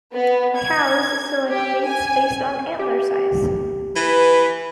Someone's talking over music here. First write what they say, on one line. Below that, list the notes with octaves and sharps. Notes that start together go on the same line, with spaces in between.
Cows select mates based on antler size.
B3
G#6
G4
G#5
G4
E3 B4